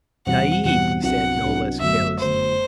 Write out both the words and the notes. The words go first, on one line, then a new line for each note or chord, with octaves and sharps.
"Tayeeb," he said, no less carelessly.
E2 B2 G3 C4 F#5
E2 B2 G3 C4 F#5
C2 C3 F#3 B3 D4 F#5
C2 C3 F#3 B3 D4
G1 F#2 F#3 A3 E5
G1 F#2 F#3 A3 C5